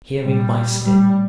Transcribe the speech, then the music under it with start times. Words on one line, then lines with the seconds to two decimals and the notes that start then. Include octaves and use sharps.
Hearing my step!
0.23 A#2 G3
0.83 A2 G3